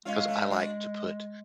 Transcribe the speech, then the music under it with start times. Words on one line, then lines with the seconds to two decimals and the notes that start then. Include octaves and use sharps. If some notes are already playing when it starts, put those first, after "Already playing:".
'cause I like to put,
0.05 G#3 C#4 F4
0.27 A3 C#4
0.51 D4 F#4